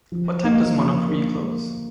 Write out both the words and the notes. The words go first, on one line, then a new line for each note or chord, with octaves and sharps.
What time does Monoprix close?
F3
A#3 D#4
F3
A#3 D#4